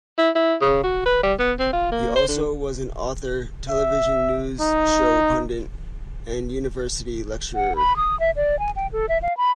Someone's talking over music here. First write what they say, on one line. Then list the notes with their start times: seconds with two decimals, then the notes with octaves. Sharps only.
He also was an author, television news show pundit, and university lecturer.
0.18 E4
0.35 E4
0.61 C#3
0.83 F#4
1.06 B4
1.23 G3
1.40 B3
1.59 C4
1.73 F4
1.92 A#3
2.16 C5
2.29 D3
3.69 E5
4.60 D#4
7.55 F#5
7.76 B5
7.97 D#6
8.20 E5
8.36 D5
8.59 G#5
8.76 G5
8.93 A4
9.09 E5
9.22 F5
9.37 B5